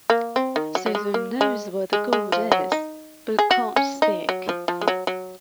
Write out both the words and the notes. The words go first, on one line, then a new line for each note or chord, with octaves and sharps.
Susan knows where the gold is, but can't speak.
A#3
C4
D#3
F#3
F#3
G#3
A#3
G#3
G#3
G#3
F3
F#3
D#4
G#4
F#4
C#4
D#4
F#3
F3
F3
G#3
F#3
F#3